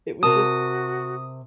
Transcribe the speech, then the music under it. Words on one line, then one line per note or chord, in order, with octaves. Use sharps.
it was just
C3 F#4 A#4 A5 D#6